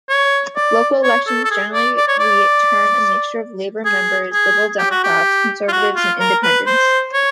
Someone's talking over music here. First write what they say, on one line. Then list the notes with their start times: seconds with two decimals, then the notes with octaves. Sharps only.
Local elections generally return a mixture of Labour members, Liberal Democrats, Conservatives and Independents.
0.09 C#5
0.56 D5
1.03 C#5
1.27 A4
1.45 A4
1.51 G#4
1.73 D5
1.97 D5
2.08 C#5
2.19 D5
3.85 G#4
4.32 G#4
4.78 G4
4.91 F#4
5.04 G4
5.68 F4
5.72 F#4
5.96 F4
6.20 A#4
6.43 B4
6.66 C5
7.14 C#5